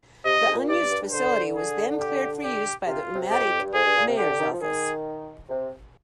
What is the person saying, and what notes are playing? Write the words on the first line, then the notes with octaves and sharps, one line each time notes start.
The unused facility was then cleared for use by the Umatac Mayor's Office.
C3 D#5
C3
G#2
A#2
G2 D5
G2
G2
G2
D3 C5
G#4
G4
G4
C3 F4
C3
F2 G4
F2
G2
F2 G#4
G2
A#2
C3
D3 G4
D3
D#3
F3
D#3 G#4
C3